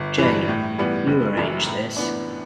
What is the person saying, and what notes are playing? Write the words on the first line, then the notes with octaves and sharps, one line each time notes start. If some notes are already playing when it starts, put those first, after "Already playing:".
Jane, you arrange this.
Already playing: G1
G2 E3
A2
E3 G3 B3
F#1
F#2 E3 A3 E4
A2
E3 B3 D4